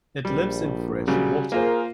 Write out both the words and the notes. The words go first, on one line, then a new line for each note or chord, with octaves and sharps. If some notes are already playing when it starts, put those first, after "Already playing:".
It lives in fresh water.
A#1 G3
C#3 F#3 G3
A#3 F4 G#4 A#4 C5